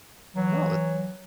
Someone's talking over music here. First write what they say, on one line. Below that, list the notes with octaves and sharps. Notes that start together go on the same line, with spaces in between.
No that
E3 F#3